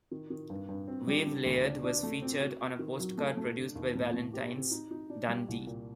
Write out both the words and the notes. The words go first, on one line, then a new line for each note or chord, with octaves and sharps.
"Wave Laird" was featured on a postcard produced by Valentine's, Dundee.
D#3
D#3
G2
G2
C4
G3
D3
D2
D4
D4
A3
C4
F#4
F#4
D#3
F#3
A3
A3
D3
D#2
A2
A2
G4
C4
D#4
D#4
D4
G3
C2
A#2